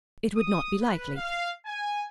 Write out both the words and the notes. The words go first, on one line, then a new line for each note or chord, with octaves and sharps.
It would not be likely.
D#6
B4
F5
G#5